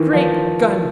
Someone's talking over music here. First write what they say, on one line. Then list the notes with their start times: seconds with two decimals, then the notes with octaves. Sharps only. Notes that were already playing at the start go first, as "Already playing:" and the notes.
Great guns!
Already playing: D#3 E3
0.13 F3